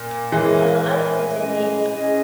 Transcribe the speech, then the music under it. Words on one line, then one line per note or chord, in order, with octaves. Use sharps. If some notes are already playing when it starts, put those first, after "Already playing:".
Our eyes met again.
Already playing: A#2
E3 G#3 A#4 C#5 E5 G#5
A#4 C#5 E5 G#5
C#4 G#4 D#5 G#5
C#4 G#4 D#5 G#5